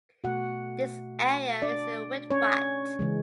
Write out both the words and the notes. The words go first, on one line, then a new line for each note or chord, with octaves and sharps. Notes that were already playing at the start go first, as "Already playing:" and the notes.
This area is a windwatt.
B2 A3 F#4 F#5
D4 D5
C#4 C#5
C#3 E3 G#3